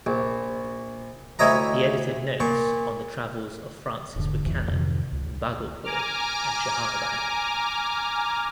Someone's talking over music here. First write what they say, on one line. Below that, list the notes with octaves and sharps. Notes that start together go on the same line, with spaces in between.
He edited notes on the travels of Francis Buchanan in Bhagalpur and Shahabad.
A#1
D2 E4 C#5 D#5 A#5
A#2 C#6
E1 G#2 D3
F1 C2 F2 E3
F2 G#2 C3 D#3
C#2
G#5 A#5 D6 F6